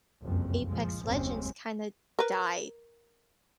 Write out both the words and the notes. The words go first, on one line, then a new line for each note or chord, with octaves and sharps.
Apex Legends, kinda, died
F#1 C2 F2
A#2 F3 G#3
F#1 D#2 G#3 C4 C#4
A#4 B4